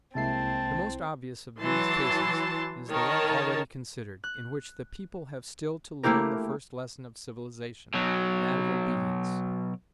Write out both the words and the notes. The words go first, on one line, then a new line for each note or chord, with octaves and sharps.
The most obvious of these cases is the one already considered, in which the people have still to learn the first lesson of civilization, that of obedience.
C2 C3 G#3 A#3 C4 E4 A5 C7
E3 F#3 A5 C6
D#3 A#4 C#5 A5
F#6
A3 A#3 E4 G4 A#4
B2 F#3